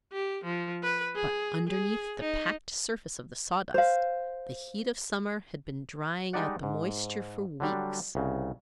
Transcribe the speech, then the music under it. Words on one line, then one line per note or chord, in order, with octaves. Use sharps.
But underneath the packed surface of the sawdust, the heat of summer had been drying out the moisture for weeks.
G4
F3
B4
G#4
G#4
D#4
C5 F5
G3 G#3 D#4 G4 D5 F#5
G#2
D3 F#3 G3 D4
C2 C#3